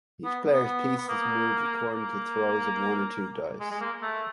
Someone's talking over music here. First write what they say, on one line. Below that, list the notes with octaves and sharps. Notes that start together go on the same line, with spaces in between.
Each player's piece is moved according to throws of one or two dice.
B3
B3
B3
A#3
A#3
G#3
G#3
A#3
A3